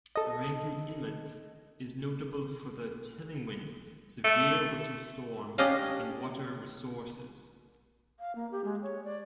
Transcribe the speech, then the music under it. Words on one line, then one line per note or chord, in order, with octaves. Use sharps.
Rankin Inlet is notable for the chilling wind, severe winter storms, and water resources.
A4 D#5
A3
C#4 D4 G4 D#5 F5
F5
A#3
G4
G#3
C#5
D5